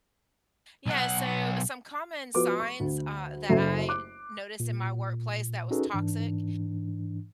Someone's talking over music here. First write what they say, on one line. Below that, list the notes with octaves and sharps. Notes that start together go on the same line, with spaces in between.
Yeah, so some common signs, uh, that I noticed in my workplace that was toxic
B1 F#5
F3 B3 F#4 B4 D6
C#6
D2
F#1 F#2 A4 E5 C7
D6 F#6
A#2
C#4 D#4 F#4 G#4 A4 B4
G#2 E3 D4